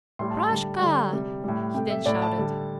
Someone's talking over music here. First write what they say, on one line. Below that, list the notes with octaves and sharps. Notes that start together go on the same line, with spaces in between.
"Proshka!" he then shouted.
A2 G3 C6
A5
C6
D3 G3 A5
D3 G3
C3 G3
A2 G3
C3 A3 G5
E5
A2 A3 D5
A5
D3 G3